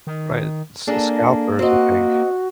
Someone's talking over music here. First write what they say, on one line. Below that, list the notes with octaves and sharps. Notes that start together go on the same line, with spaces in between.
Right, s scalpers, I think.
D#3
A#3 D4 G#4 A4
C4 F#4 D#5